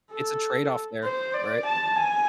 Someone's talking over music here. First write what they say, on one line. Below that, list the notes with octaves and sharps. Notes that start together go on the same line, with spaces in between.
it's a trade-off there, right?
A4
C5
D5
A5
G#5